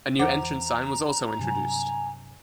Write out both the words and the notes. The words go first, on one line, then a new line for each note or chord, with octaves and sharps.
A new entrance sign was also introduced.
E2 C5 F#5 A#5 D6
G2 C3 F#3 G#5